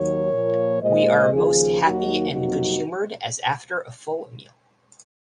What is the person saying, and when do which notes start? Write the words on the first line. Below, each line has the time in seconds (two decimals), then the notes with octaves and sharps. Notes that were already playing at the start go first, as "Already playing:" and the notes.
We are most happy and good-humored as after a full meal.
Already playing: D#2 D#3 F#3 A#4 C#5
0.33 A#2 F3 A#3
0.83 A#2 G#3 C5 D#5
1.32 D#2 C#3 F3 F4 G#4
1.82 D#2 D#3 F#3 A#3 D#4 F#4
2.31 F2 C3 F#3 A#3 D#4 F#4